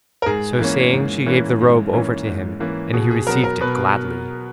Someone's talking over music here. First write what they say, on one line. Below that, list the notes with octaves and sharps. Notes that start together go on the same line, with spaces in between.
So saying she gave the robe over to him and he received it gladly.
A#4
G#2 G#4
E3 A#3 C#4
G#2
E3 A#3 C#4
G#2
E3 A#3 C#4
G#2
E3 A#3 C#4
B2 G#4
G#4
F#3 B3 A#4
A#4
B2 B4